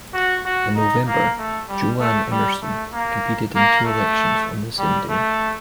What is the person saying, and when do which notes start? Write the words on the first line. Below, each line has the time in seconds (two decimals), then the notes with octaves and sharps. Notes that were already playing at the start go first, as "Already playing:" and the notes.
In November, Jo Ann Emerson competed in two elections on the same day.
0.14 F#4
0.46 F#4
0.76 D#4
1.07 A#3
1.38 A3
1.69 G3
2.00 A3
2.31 G3
2.62 A3
2.93 A#3
3.55 A#3
3.86 A3
4.78 G3
5.10 A3